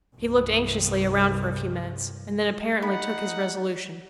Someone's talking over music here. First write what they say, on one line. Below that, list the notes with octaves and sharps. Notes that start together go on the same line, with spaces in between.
He looked anxiously around for a few minutes, and then apparently took his resolution.
C2 G2
D#4 F#5 B5